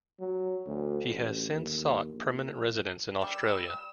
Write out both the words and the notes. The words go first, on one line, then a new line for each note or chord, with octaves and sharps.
He has since sought permanent residence in Australia.
F#3
D2
A1
D#2
A#1
G3 E6